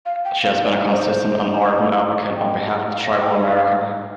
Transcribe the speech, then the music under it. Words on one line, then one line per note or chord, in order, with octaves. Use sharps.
She has been a consistent and ardent advocate on behalf of Tribal America.
F5
G5
F5
D5
C5
G5
F5
G5
F5